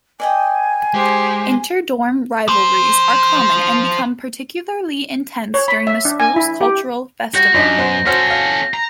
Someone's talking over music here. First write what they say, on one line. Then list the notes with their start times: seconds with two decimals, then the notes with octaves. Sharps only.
Inter-dorm rivalries are common and become particularly intense during the school's cultural festival.
0.20 D5 D#5 G5 G#5
0.94 G#3 G4 C5
2.48 F3 C5
5.54 C#5
5.68 B5
5.87 E5
6.05 D4
6.20 G#5
6.36 E4
6.61 G4
7.34 G3 F#4 G6 A#6
7.54 F#2 D4 D#4 F4
7.77 B2 C5 F#5
8.06 C#4 F#4 A4 C5 F6
8.27 F#4 F5 A#6
8.74 A#5